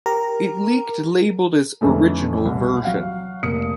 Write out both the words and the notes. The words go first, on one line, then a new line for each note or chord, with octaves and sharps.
It leaked labeled as "Original Version".
G4 A#4 A#5
F2 D3 E3 G#3 A3 C#4
C2
F#3 F5 F#5
F1 A#3 D#6 C#7